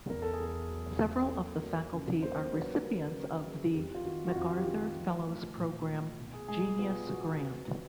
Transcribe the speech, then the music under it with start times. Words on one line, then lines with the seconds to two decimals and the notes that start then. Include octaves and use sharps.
Several of the faculty are recipients of the MacArthur Fellows Program "genius grant".
0.10 E2 A#4
0.22 A4
0.33 G#4
0.40 E2
0.46 A4
0.70 F#3
1.01 F#3
1.31 A#3 A4
1.61 F#3 A#4
1.93 C#3
2.22 A#3 C5
2.53 F#3 B4
2.83 F#3 A#4
3.14 C#3 A#4
3.44 F#3 G#4
3.74 F2 G4
3.95 F4
4.05 D#3 F#4
4.27 F#4
4.35 F2 F4
4.57 G4
4.66 D#3 F#4
4.97 F3
5.27 A3
5.57 A#2
5.88 A3
6.18 B2
6.33 G#4
6.48 G#3 G#4
6.79 B3 F4
7.09 B3 F#4
7.40 C4
7.70 F3